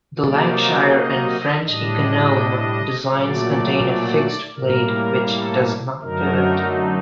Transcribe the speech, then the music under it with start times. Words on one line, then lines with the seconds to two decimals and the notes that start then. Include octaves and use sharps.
The Lancashire and French "Econome" designs contain a fixed blade which does not pivot.
0.20 C3 F#3 A#3 D#4 D5
0.93 D#5
1.65 A2 G3 D4 D#5
3.11 A#2 F#3 A3 D5
4.56 A2 G3 A#3 A#4
5.29 A4
6.01 F#2 D3 F#3 A3 D#4 A#4